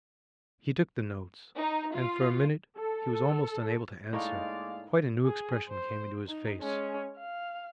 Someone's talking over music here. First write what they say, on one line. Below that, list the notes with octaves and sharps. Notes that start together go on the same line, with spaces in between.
He took the notes, and for a minute he was almost unable to answer, quite a new expression came into his face.
D#4
F4
A4
A2 G#3 A#3 D#4 C#5 D5 F5
G#4
C5
D#4
G#3 C#4
F5